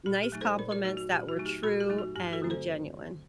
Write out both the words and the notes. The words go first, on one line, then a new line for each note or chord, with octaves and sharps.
nice compliments that were true and genuine.
A#2 G4
G4
F#3 A3 D#4
A4 C5
A#2 A#4 D5
A#4 D5
F#3 A3 D#4 F#4
F#4
A#2 G4
F#4
F#3 A3 D#4
G4
A#2 F#4 A4
G4
F#3 A3 D#4
F#4
G2 G4
F#4 A4
D3 F#3 A3 C4
A4 C5